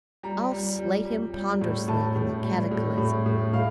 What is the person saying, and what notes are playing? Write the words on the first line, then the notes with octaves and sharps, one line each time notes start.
I'll slate him ponderously in the Cataclysm.'
G3 A#5
G3
G3
G3
G3
A2
A2 A5
A2
G3
A2
A2
A2
A2 F5